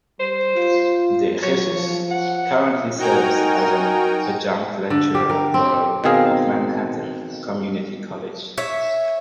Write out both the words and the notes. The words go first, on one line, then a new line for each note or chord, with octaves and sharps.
De Jesus currently serves as an adjunct lecturer at Borough of Manhattan Community College.
G3 C5
F4
F#3 C#5
F3
F#5
D#4 F#4 A#4 G5 G#5 A#5
D3
G4
A#4
C4
B2 D#3 C4 G#4 F5
C#5 E5